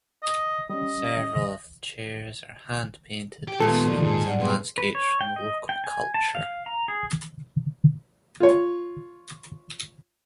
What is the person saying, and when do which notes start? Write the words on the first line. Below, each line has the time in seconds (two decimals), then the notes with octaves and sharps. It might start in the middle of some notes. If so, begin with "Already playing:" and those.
Several of the chairs are hand-painted with scenes and landscapes from the local culture.
0.23 D#5
0.69 G3 C#4 D#5
3.48 G4
3.60 D#2 A#2 G#3 A3 B3 A4 B4
3.87 F3 F#3 D#4 D5
4.02 G#2 G#4 A5
4.26 F#3 D5 F#5
4.39 G#2 B2 G#4 B4 C6
4.78 B4
4.95 C#5
5.21 G5
5.36 D#5
5.69 G5
5.84 G#5
6.14 A5
6.35 F5
6.66 A#5
6.88 G#4
8.40 F4 C#5